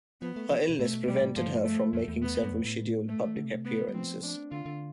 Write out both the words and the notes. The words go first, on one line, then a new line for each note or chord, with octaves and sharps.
Her illness prevented her from making several scheduled public appearances.
F3 B3
A3
F3
B2
A2 A3
C3
B2
B2 G3
A2
G2 F3
A3
F2 A3
E2
B3
G2
F2
A2
A3
D3
C3
B2
C3
B3
G3
F3 C4
D4
D3 F4
D3